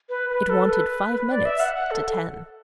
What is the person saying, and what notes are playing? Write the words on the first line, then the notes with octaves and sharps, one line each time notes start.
It wanted five minutes to ten.
B4
B4
A4
B4
D5
E5
F#5
F#5
A4